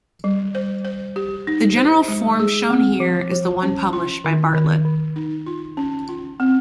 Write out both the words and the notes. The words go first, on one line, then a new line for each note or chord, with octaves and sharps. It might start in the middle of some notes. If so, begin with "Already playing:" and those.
The general form shown here is the one published by Bartlett.
G3
C5
C5
G4
D#4
C5
G#3
G#4
C4
F3
F3
C#4
F4
D#3
D#3
D#3
D#4
F4
C#4
F4
C4